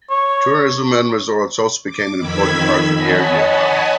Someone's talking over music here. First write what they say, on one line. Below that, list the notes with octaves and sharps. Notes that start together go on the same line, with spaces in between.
Tourism and resorts also became an important part of the area economy.
C#5
D6
F2 D#3 B5 E6 G#6 B6
C#5 D#5 F#5 G#5 A5 B5